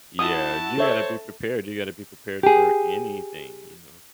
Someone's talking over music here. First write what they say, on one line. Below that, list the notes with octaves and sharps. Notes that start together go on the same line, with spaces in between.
Yeah, you gotta be prepared. You gotta be prepared for anything, you know?
E4 F#4 A5 D#6
A4 C5 C#5 E5
G4 G#4